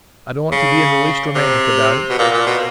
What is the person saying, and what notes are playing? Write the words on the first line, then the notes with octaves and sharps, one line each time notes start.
I don't want to be in the least romantic about it.
C#3
C3
B2
A#2
A#2
B2